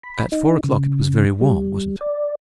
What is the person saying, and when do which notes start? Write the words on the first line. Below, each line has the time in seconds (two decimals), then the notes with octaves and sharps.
"At four o'clock--it was very warm, wasn't it?"
0.03 B5
0.32 D#4
0.64 C#3
1.41 G3
2.01 D5